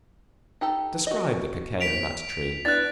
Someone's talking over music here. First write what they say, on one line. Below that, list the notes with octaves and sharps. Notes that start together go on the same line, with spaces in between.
Describe the Cacao-nut Tree.
D#4 G4 A4
F#4 D#5
B6 D7 F7
B3 D4 E4 F#6 A6